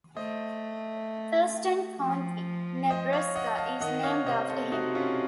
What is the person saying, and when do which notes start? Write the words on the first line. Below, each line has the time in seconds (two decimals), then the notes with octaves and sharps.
Thurston County, Nebraska is named after him.
0.17 A3 C5 D#5
1.99 F3
2.90 C5 D#5
3.13 C#5 F5
3.35 D#5 F#5
3.58 F5 A5
3.81 D#3 D#5 F#5
4.03 C#5 F5
4.26 C3 C5 D#5
4.49 A4 C5
4.72 D#4 F#4
4.95 C#4 F4